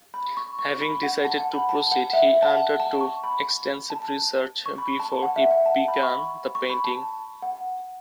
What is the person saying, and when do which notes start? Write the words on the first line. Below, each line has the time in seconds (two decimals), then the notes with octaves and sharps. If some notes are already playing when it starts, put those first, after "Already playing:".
Having decided to proceed, he undertook extensive research before he began the painting.
0.14 B5
0.37 C#6
0.59 C#6
0.81 B5
1.03 F#5
1.25 A5
1.40 F#5
1.54 B5
1.69 A5
1.92 F#5
2.13 E5
2.28 F#5
2.42 A5
2.57 F#5
2.80 A5
3.01 C#6
3.24 B5
3.90 A5
4.66 C#6
4.78 B5
5.00 A5
5.23 F#5
5.36 E5
5.51 F#5
5.66 A5
5.88 B5
6.03 C#6
6.10 B5
6.55 C#6
6.70 B5
6.84 A5
7.42 F#5